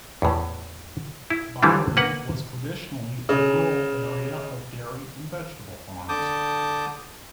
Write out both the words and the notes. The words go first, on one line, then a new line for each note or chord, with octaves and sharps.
Byron was traditionally a rural area of dairy and vegetable farms.
E2 A2
E4
D3 E3 F3 G3 A3
A#3 B4 F#5
C#3
D3 A5 D6 D#6 G6